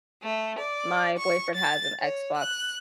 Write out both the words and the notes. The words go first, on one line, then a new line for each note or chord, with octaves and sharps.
my boyfriend has an Xbox,
A3
D5
C#6
A6
C#5
F#6